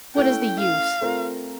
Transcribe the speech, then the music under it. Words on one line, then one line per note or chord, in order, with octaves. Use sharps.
What is the use?
A3 C#4 E4 G5
F5
A3 C4 F4 A#4